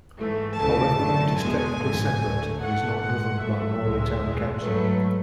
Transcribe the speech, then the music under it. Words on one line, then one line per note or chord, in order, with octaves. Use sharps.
However, it is technically separate, and is not governed by Morley Town Council.
G#2 E3 A3
D2 C#3 E3 A3 A5
F#2 D3 A3
E2 B2 G#3 G#5
A1 G#2 E3 A3
D2 D3 A3
G#2 E3 A3 F#5
G#2 G#3 F#5
A1 A2 F#3 A3 E5
C#2 B2 G#3
E2 B2 G#3
G#2 F#3 A3 B4